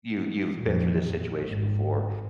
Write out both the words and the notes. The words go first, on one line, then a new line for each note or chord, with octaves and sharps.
you you've been through this situation before.
F2 A#2
G#1